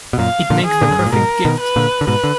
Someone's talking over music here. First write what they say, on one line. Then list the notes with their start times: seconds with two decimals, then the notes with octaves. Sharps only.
It makes the perfect gift.
0.13 B2
0.18 F#2 A#2 F5
0.50 A#2 D3
0.66 G#4
0.82 A#2 D3
0.91 F#2
0.99 G#2
1.06 A#2
1.13 G#2 B2 A#4
1.45 B2 D#3
1.60 B4
1.76 A#2 D3
2.01 D3
2.07 G#2 B2 B4
2.24 D3